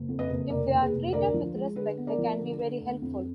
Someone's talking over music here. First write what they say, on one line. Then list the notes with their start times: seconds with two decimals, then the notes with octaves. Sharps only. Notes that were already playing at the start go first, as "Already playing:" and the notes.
If they are treated with respect, they can be very helpful.
Already playing: F#1
0.08 F2
0.19 B4 D#5
0.30 F#1
0.50 F1 A#4 D5
0.71 D#2
0.81 G#4 B4
0.93 F1
1.13 D2 A#4 D5
1.34 F3
1.55 G#3
1.76 D3 G#4 B4
1.97 B3
2.07 A#4 D5
2.18 F3
2.39 D3
2.60 D3
2.81 D2
3.02 F2